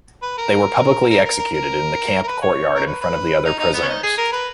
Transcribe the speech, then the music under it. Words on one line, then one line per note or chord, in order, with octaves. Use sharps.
They were publicly executed in the camp courtyard in front of the other prisoners.
B4
A#4
A#4
A#4
A#4
A#4
A#4
B4
C#5
A#4
B4
B4
D#4
D#4
B3
C#4
D#4
G#4
A#4
B4